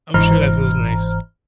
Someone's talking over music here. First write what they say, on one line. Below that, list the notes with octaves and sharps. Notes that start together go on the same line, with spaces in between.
I'm sure that feels nice.
G1 G#2 E3 C5 A#5 F6